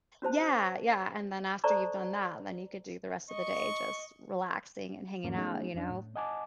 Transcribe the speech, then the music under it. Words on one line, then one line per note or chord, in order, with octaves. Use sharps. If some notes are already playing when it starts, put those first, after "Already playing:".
Yeah. Yeah. And then after you've done that, then you could do the rest of the day just relaxing and hanging out, you know?
C#4 F#4 C5 A5
A4 C5 D5 A5 A#5 C#6
D#5 C#6
E2 G#2 E3 A#3 C#4
F#3 A3 B3 C#4 D#4 G#4
F2 F#3 C#4 D4
A2
D#5 F#5 G#5 A5 D6